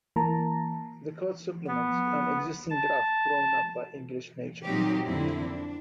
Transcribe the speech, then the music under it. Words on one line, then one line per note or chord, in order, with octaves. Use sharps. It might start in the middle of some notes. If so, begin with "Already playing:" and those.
The code supplements an existing draft drawn up by English Nature.
E3 A#3 A5 A#5
B3
A5
A#2 F3 F#3 C4 D#4 G4
F2 D3 A#3 C4 D4 E4
D4